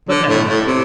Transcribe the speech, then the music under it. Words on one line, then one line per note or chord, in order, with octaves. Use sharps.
But never mind!
D3
A2
A2
C3